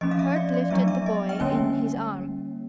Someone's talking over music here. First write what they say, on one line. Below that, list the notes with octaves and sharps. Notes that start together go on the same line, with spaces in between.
Hurd lifted the boy in his arm.
F3 A3 C#4 D#5
F5
E5
D5
D5
F#3 B3 D4 E5
E5
D#5
G5
D3 G3 A#3 C#4 G#5